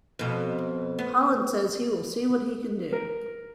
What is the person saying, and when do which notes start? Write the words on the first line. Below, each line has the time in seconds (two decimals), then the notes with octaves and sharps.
Holland says he will see what he can do.
0.19 F2 B2
0.99 B3
2.93 A#4